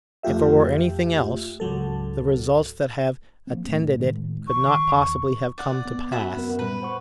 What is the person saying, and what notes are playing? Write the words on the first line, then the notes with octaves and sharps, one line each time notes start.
If it were anything else, the results that have attended it could not possibly have come to pass.
F2 A3 F4 G4 E5
C#2 G#2 F#3 A4
F3 A#3 C4
D#1 A2 A3
A2 D#3 G#3
A#1 C#6
D#3
E2
D5 F#5
B1 B3
F#4 E5 F#5 B5
F#2 B3 A#4
A#2 G3 B4 B5
C5 F#5 C#6